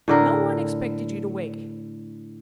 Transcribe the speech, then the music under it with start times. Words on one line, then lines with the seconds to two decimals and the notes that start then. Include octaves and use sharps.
No one expected you to wake.
0.08 A2 D3 A#4